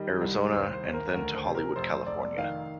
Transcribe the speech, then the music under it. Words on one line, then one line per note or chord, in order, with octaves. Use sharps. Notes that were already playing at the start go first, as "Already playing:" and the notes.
Arizona and then to Hollywood California.
Already playing: D#3 G3 D#5
C2
D#2 C5
C5
D#2
A#4
D2 A#4
C5
C3
A#4
F1 C5
F1 D5
D#3 F5